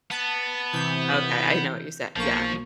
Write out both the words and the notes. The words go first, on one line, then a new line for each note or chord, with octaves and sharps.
Okay, I didn't know what you said. Yeah, I
B3 A5
C3 E3 G6
B1 F3 A#3 C#6